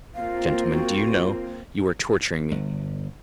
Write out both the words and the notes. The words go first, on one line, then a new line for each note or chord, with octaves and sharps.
Gentlemen, do you know, you are torturing me!
A#3 C4 F4 F5
F#4
G1